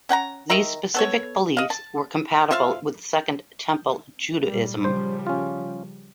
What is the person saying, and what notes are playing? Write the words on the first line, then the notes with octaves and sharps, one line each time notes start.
These specific beliefs were compatible with Second Temple Judaism.
C#4 F#5 G5 A#5
D#3 A#4 E5 A#5
B3 A4 C#5
D#5 F5
A5
F4 C5 E5 F5
A#2 G3
C#3 F3 G3 C5
C#4 F4